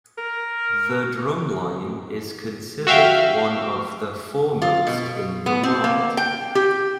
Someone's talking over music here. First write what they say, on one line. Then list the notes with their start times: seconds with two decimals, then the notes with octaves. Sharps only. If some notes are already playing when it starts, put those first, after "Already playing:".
The Drumline is considered one of the foremost in the world.
0.18 A#4
2.87 F#4 E5 F5 G5
4.62 F4
4.87 B2
5.46 B3
5.63 C4
5.84 A#3
6.17 G5
6.55 G4